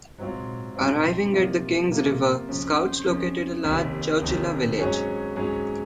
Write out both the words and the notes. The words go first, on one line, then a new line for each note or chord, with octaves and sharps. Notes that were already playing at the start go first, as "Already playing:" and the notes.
Arriving at the King's River, scouts located a large Chowchilla village.
G#2 F#3 C4 F4
G#2 F#3 C4 F4
F2 C3 F3 A#3 F4
F2 C3 F3 A#3 F4
F2 C#3 F3
F2 C#3 F3
F1 D#2 D#3
F1 D#2 D#3
G#2 F#3 C#4 G#4
G#2 F#3 C#4 G#4